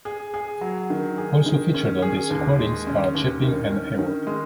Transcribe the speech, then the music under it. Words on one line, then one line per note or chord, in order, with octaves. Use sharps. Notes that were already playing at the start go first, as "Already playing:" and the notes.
Also featured on these recordings are Chaplin and Hayward.
G#4
G#4
F#3
D#3
G#4
D#3
C#4
G#4
D#2
G#3
C#4
D#2
D#3
C#4
D#3
G#3